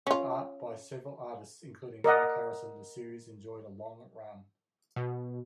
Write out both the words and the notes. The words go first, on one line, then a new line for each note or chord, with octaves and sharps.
With art by several artists including Mark Harrison, the series enjoyed a long run.
C#4 F4
A#4 D5 D#5 F#5
B2